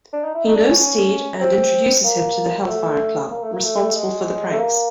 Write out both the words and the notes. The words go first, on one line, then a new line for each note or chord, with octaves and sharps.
He knows Steed and introduces him to the Hellfire Club, responsible for the pranks.
D4
D#4
E4
D#4
D4
C#4
C#4
C4
A#3
A3
A#3
A3
A#3
A3
G#3
A3
A#3